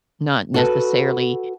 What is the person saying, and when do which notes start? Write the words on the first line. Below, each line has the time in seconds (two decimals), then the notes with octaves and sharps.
not necessarily
0.54 F#4 A4 B4